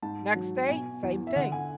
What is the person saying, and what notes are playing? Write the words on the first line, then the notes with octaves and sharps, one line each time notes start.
Next day, same thing.
G#2 A5
F#3
B2 G#5
E2
E5
D3 F#5
G#5